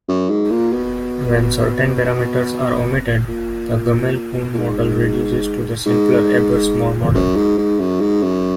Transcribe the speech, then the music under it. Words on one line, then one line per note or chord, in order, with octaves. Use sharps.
When certain parameters are omitted, the Gummel-Poon model reduces to the simpler Ebers-Moll model.
F#2
G#2
A#2
B2
A#2
A#2
G#2
G#2
F#2
G#2
G#2
F#2
G#2
F#2